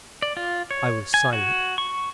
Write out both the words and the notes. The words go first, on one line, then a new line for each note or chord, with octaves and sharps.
I was silent.
D5
F4
C#5
G#5
F#4
C#6